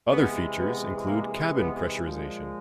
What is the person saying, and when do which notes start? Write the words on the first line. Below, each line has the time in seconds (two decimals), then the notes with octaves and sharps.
Other features include cabin pressurization.
0.11 C3 E3 G#3 B3
0.59 B3
1.06 A#3
1.55 B3
2.02 A#2 F3 G#3